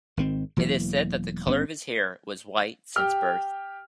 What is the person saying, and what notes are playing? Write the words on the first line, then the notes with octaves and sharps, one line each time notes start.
It is said that the color of his hair was white since birth.
G#1 D#3 C4
E1 E3 F#3 A#3
G1 B3 C#4
G4 G5 F6